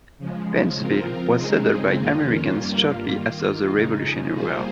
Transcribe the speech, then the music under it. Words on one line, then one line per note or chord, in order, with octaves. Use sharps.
Painesville was settled by Americans shortly after the Revolutionary War.
C#3 F3 G#3
F3 C4 F4 A#4
C#3 G#3 C4 D#4 G#4
F2 D#3 A#3 C#4 F4
G2 G3 A#3 F4
D#3 A#3 F4
F2 C#3 G#3 D#4
G3 A#3 F4 G#4 C5